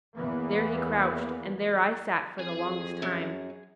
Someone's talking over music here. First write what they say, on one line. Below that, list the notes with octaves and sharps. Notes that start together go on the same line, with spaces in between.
There he crouched, and there I sat for the longest time.
E2 E3 A#3 B3
F2 G#4 G#5
F#2